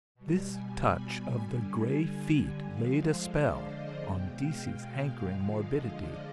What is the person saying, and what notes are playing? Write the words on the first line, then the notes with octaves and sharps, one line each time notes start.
This touch of the grey feet laid a spell on Deasey's hankering morbidity.
B2 G3
G#5
B5
G#5
D3 G3
D3 F3 G#3 F5
C5
D5
D#5
B2 G#3 G5
F5
D3 F3 G#3
D#5
D5